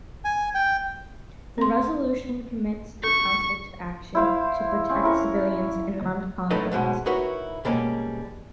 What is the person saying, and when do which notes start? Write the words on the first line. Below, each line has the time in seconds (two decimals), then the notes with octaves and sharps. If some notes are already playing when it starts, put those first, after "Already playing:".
The resolution commits the Council to action to protect civilians in armed conflict.
0.25 G#5
0.55 G5
1.58 C4 C6
3.04 A4 C#6
4.15 E4 C5 F5
4.89 C4 C#4
5.03 E4 A#4 C#6
6.51 C#2 A2 D#4 A4 B4 D#5
6.72 G#2 B2 G#3 C#4
7.06 D#4 E4 F#4 A#4 B4 C#5
7.65 B2 G3 G#3 A#3 C#4